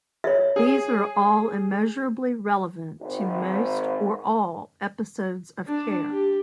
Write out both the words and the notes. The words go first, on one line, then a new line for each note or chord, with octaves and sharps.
These are all immeasurably relevant to most or all episodes of care.
C#5 E5
G#4
G#1
D4
G4